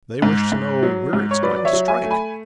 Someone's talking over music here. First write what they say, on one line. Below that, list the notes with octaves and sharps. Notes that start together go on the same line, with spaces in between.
They wish to know where it is going to strike.
G#2
G#2
F#3
G#2
C#5
F#3 B4 D5
D5
C#5 E5
F#3
E5 G#5
A3
G#5 B5